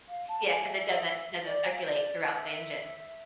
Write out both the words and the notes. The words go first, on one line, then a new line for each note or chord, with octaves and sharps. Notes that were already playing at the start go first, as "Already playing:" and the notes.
Yeah, 'cause it doesn't it doesn't circulate throughout the engine.
F5
A5
G#5
E5
D5
G#5
F5
E5
D5
E5